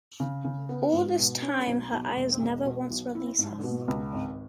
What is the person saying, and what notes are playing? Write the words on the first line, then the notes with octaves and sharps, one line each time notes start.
All this time her eyes never once release him.
C#3
C#3
B3
G#2
B2
C#4
B1
B1
E1
E1
B2
B1
E4
G#2
B2
C#2
G#1